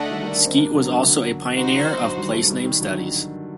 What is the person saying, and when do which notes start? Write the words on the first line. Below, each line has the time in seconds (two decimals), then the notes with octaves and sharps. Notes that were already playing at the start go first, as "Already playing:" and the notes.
Skeat was also a pioneer of place-name studies.
Already playing: D3 A3 D4 A4 D#5 F#5
0.10 D#3 G3
0.22 G3 A#3
0.34 A#3 D4
0.45 C4 D#4
0.57 A#3 D4
0.73 D3 F#3
0.89 D3 F#3
1.05 D3 F#3
1.53 D#4 F#4 C5
2.01 D3 F#3
2.17 D#3 G3
2.33 F#3 A3
2.48 D#3 G3
2.64 D#3 G3
2.80 D3 F#3